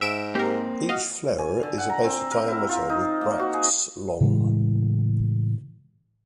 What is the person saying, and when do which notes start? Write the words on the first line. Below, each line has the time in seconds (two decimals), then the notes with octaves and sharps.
Each flower is about in diameter with bracts long.
0.01 G#2 E5 D7 E7
0.35 A#3 C4 G4 A#4
0.89 F#4 D#5 F5
1.38 G#5
1.63 D3
1.78 F#5
1.89 A#5
2.04 C4
2.31 A#4
2.48 E4
2.69 F4
2.90 D#4
3.21 A#3
3.39 F#4
3.53 G#4
4.21 A2 C#3 E3 G#3